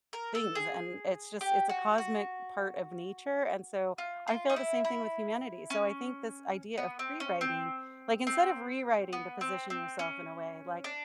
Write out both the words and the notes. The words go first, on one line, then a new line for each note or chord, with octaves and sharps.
things, and it's just it's a cosmic part of nature, and so, I feel the same thing with humanity. So, I think this idea of prewriting, like, instead of rewriting to position yourself in a way like
A#4
A4
G#4
G4
F#4
F#4
F4
F4
D#4
E4
E4
C#4
B3
C4
C#4
C4
C4
B3
C4
C4
C#4
D4